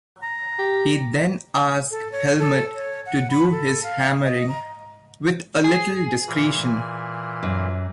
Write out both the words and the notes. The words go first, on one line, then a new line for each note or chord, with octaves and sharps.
He then asks Helmut to do his hammering "with a little discretion".
A#5
G4
A4
C#5
A4
C#5
F#5
B5
A4
F5
D#5
A#5
G#4
A#2 E3
F#2